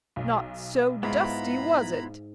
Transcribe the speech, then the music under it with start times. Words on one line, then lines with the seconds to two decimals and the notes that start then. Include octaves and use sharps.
Not so dusty, was it?
0.16 B1
1.03 G#2 B3 E4 F4 A#5 B5